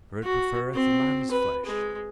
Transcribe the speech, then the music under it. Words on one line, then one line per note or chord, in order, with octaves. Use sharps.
For it preferreth lamb's flesh.
F#4
C4
B4
G#3